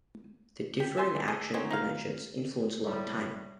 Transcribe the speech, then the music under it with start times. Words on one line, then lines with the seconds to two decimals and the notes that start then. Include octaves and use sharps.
The differing action dimensions influence lock time.
0.80 G4
0.97 E5 G#5 C6
1.16 G3
1.28 G#4 A4 D#5
1.54 F#3 C4 C#4 D#4
1.71 D#4 F5
2.85 A2 G3